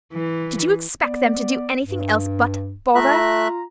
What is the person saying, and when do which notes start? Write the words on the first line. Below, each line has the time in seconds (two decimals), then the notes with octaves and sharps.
Did you expect them to do any thing else but bother?
0.13 E3
1.02 B3 D5
1.82 G2
2.95 A3 F4 E5 A#5 F#6